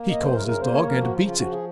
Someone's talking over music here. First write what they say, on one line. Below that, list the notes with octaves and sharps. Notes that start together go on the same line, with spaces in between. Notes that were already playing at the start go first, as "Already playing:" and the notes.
He calls his dog and beats it.
Already playing: A#3
F#2 D#5
C5
C#3 A#4
A#4
A#3 C5
C#5
F3 A#4
F#4
C#3 F4
F4
F3 F#4
G#4